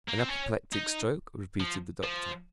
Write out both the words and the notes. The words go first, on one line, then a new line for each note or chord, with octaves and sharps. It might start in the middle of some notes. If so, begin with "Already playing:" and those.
"An apoplectic stroke?" repeated the doctor.
A#3
C4
C#4
D#4
F3
F3